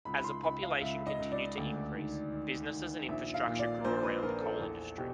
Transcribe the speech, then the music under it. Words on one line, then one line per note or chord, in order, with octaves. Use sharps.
As the population continued to increase, businesses and infrastructure grew around the coal industry.
C#2 B5
B5
C6
C#2 B5
F5
C#2 E5
D#5
C#2
D5
D2
D#3
D#3
D#3
A#1 E5
F5
A#2
D5
A#1 C5
B4
A#1 A#4
A4
E2 A4
B2 G4